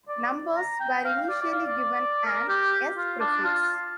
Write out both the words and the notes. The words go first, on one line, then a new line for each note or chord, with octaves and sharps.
Numbers were initially given an 'S' prefix.
D5
A#5
G5
F5
D5
D5
F5
D5
A#4
G4
F4
D4
F4